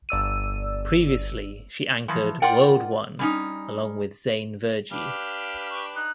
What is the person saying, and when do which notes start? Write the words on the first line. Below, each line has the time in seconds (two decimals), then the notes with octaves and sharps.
Previously, she anchored "World One", along with Zain Verjee.
0.09 G1 D5 E6 D#7
2.08 E3 F3
2.42 F4 A#4 D5 F#5 G5
3.19 G3 C#4 D#4
4.92 D4 G4 B4 F5
5.55 F6
5.70 C#6
5.95 D#4 F#6